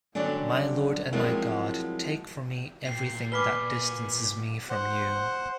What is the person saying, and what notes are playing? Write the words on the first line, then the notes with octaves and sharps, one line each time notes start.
My Lord and my God, take from me everything that distances me from you.
D3 F#3 G3 C#4 D4
F3 F#3 G#3 A#3 C4 E4
A#2 G5 C7
B4 G#5 B5 D6 F6 B6 G7
C5 F#5